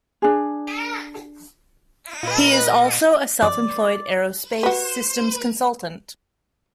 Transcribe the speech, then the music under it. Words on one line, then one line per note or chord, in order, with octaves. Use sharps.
He is also a self-employed aerospace systems consultant.
D4 G#4
A#2 F4 B4 D#5
D5
F#4 B4